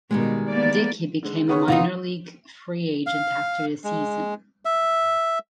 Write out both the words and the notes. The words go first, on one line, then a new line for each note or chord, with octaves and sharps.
Dickey became a minor league free agent after the season.
B2 D#3 G3 G#3
A#3 B3 D5
D3 G#3
C#3 B3 G#4 C#5
E2 C3 D#3 D#4 F4 F#4 F5
F5
G#3
E5